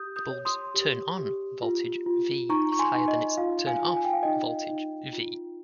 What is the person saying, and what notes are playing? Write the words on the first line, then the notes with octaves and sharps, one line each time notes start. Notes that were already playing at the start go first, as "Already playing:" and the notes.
The bulb's "turn on" voltage "V" is higher than its "turn off" voltage "V".
Already playing: G4 D#6 G6
D#6 G6
C#5
C6 D#6
G4
G4
F4
F4
D#4 A#5 C#6
C#6
G#5 C6
D#4
D#5
F4 F5
F5 G#5
F4
G#5
G5
F5
D#4 D#5 G5
D#4
F4